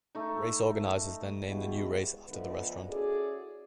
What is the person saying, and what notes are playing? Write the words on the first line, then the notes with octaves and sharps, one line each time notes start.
Race organizers then named the new race after the restaurant.
A3 D#4
G2 B2 G3 G#3 E4 F#4
D2 D3 F3 B3 B4 D#5
C#4 E4 F#4 G#4 A4 D5